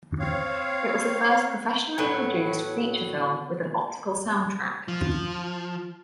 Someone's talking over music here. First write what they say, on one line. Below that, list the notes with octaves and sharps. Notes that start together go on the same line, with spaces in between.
It was the first professionally produced feature film with an optical sound track.
C4 C#5 F5
A2 F#3 B3
F3